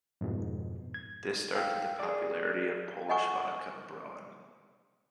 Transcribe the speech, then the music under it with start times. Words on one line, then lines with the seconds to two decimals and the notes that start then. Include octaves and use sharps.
This started the popularity of Polish vodka abroad.
0.21 F2 G#2 B2
0.94 G#6
1.55 F5 G5 E6
1.99 G#4 D5
3.09 D#5 F#5 G#5 C#6